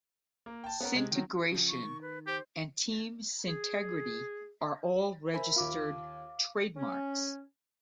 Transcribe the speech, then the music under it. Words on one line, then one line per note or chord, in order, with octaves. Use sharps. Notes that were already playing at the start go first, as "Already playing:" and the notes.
"Syntegration" and "Team Syntegrity" are all registered trademarks.
A#3
G5 A5
B3 C#4 A#4
C3 G#3
D#3 F#3
C#3 F3
C#6
D#3
B4
G4 C5
G#4
A#4 C5 E5 G#5 B5
D#2 F4 F5 D6
C#4